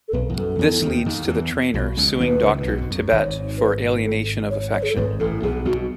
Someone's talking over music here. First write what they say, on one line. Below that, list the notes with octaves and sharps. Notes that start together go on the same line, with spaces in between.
This leads to the trainer suing Doctor Tibbett for alienation of affection.
A4
B1 B2 B4
E2
F#2 A4
E2
D#2 D#3
D#2 D#3
E2 E3
B1 B2
C#2 C#3
D#2 D#3 B4
C#2 C#3
A2
B1 B2
G#2
F#2
G#1 G#2 C#5
B4
A4
C#5
C#5
G#4
A4
G#1 G#2 B4
A1 A2 A4
B1 B2 G#4
B1 B2 F#4